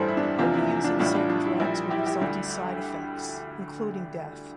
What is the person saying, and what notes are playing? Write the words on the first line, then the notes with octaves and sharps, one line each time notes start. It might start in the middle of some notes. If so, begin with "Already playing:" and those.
Overusing certain drugs would result in side-effects, including death.
Already playing: A1 G2 E3 G3 A4 C5
E4
D4
E4
F1 E2 C3 F3 D4 F4
E4
D4 F4
A1 A2 G3 D4 F4
D4 F4
D4
E4
A#1 A#2 G3
E4 G4
E4 G4
D2 D3 G3